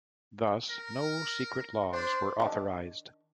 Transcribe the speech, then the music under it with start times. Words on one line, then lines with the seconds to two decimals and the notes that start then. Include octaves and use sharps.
Thus, no secret laws were authorized.
0.70 A#4
1.92 D4 C5
2.40 D#3 D4